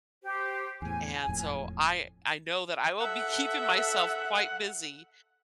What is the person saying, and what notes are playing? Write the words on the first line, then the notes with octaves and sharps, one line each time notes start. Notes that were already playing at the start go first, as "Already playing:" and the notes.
and so I I know that I will be keeping myself quite busy.
G4 C5
E2 A2 G#5
E1 F2 A2
A4 E5 F#5